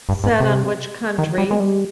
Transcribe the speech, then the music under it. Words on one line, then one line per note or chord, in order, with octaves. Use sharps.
set on which country,
G2
G#2
C3
D#3
G3
G#3
G3